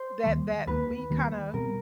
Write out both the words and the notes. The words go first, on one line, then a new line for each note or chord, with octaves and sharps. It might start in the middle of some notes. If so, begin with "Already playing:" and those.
that that we kinda
Already playing: C5
D#2 D#3 G3 A#3
D#2 D#3 G3 A#3 B4
D#2 D#3 G3 A#3
B2 G3 C4 A#4